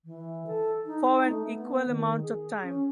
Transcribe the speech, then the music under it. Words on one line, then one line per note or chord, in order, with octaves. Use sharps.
For an equal amount of time.
E3
A4
D#4
A3
B3
D#3
G#4
C#4